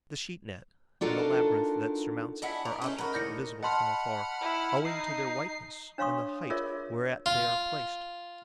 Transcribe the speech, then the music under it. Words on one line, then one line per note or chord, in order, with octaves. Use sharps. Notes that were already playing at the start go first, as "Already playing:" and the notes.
The sheet-net and the labyrinth that surmounts it are objects visible from afar, owing to their whiteness and the height whereat they are placed.
D4 D#4 F4 F#4 A4 A#4
D4 E4 G#4 D#5 F#5 B6
A#4 A#5
G#3 A3 C#4 D#4
G#2 A#4 D#5 F#5 A#5 B5 C#6
D#2 A2 D5 G6 A#6 C#7
D#5 F#5 A5 B5 C6 F6
E4
D#4 C7
D4 C#5 F5 C6 C#6 D#6
F4 G#4 A#4 C#5 D5 E5
F4